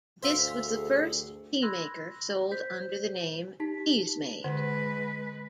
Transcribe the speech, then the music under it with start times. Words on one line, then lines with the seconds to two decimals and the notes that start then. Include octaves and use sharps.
This was the first teamaker sold under the name Teasmade.
0.23 D2 C5 E5 F5
0.66 G#4 A4
1.62 B5 C6 E6 F#6 G#6 A#6
2.51 C5 G6 B6
3.60 D#4 G4 A5 B6
4.44 D3 G#3 B4 F#5